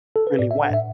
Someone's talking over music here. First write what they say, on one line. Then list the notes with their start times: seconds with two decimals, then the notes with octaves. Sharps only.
really went,
0.16 A4
0.27 B4
0.39 A2 D5
0.51 E5
0.55 D4
0.63 F#5
0.70 A2 E5